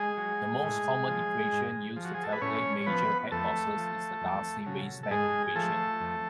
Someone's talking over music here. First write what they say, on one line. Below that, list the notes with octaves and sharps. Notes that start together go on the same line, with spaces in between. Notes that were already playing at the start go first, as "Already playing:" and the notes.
The most common equation used to calculate major head losses is the Darcy-Weisbach equation.
Already playing: G#3 G#4
F#3
A2
F3
G#2
F3
F#4
G#4
A4
B4
A2 C#4 C#5
C#5
F3 B3 B4
F2 A3 A4
F3
F2
C#3 F#3
A4
G#2 G#3 G#4
F3 A3 A4
F2